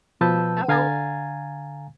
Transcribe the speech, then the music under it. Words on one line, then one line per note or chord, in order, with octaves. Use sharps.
Mhm. Oh
B2 F3 B4 A5 E6 G6
D3 F5 G#5 A#5 G#6 A6